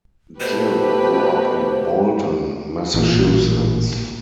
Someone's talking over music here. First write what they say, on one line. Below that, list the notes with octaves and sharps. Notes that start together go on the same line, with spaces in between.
Gill grew up in Bolton, Massachusetts.
B2 A3 G4 B4 C5
A1 A#2